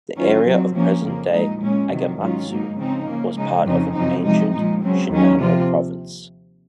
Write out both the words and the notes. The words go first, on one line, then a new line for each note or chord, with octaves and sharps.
The area of present-day Agematsu was part of ancient Shinano Province.
D#3 F#3 C#4 F4
D#3 F#3 C4
C3 F3 A#3 C#4
F2 C#3 F3 A#3
A#2 G#3 D#4
A#2 G#3 C#4
C3 D#3 F#3
G#2 D#3 F#3 C#4 F4
G#2 F#3 A#3 D#4
C#3 F3 C4 D#4
C#3 F3 A#3
C#3 G#3 D#4
F2 C#3 F3 C4 D#4
F#2 C#3 F3 C4 D#4
C3 F3 G#3 D#4
A#2 F3 G#3 D#4
C#3 F#3 C4
D#2 D#3 F#3 C#4
C3 F3 C4 F4